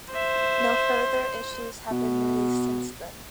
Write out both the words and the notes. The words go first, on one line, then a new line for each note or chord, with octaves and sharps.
No further issues have been released since then.
C5 E5
B2